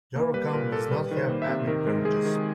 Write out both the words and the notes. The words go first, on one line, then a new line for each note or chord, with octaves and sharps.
Your account does not have admin privileges.
A#3
G3 B4
A#2 A#4
A#2 A4
G3 B4
D#3
C5
A#3
E5
C3
D#3 A#4
G#3
G#3 G#4
D#3